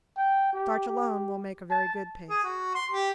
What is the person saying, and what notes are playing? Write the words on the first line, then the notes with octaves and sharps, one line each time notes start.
Starch alone will make a very good paste.
G5
G4
G4
A5
G#4
F#4
C6
G4